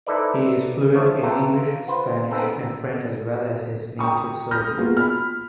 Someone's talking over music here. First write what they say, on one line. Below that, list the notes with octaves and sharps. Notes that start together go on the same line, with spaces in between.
He is fluent in English, Spanish and French as well as his native Serbian.
D#4 E4 A4 B4 C5 D5
F3 A3 C#5
E3 F4 G5 A5 A#5
F4 B4 C5
B3 C4 D#4 G#4 A4
G5 A#5 C#6 D#6
D#6 F6 G6 A#6
A#3 B3 F4 F#4 G#4
B5 F6